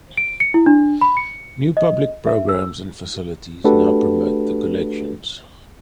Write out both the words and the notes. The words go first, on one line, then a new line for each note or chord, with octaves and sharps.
New public programmes and facilities now promote the collections.
D7
C#7
E4
D4
B5
C#7
D#5
E5
E6
A3 D4 F#4 G4 A4 B4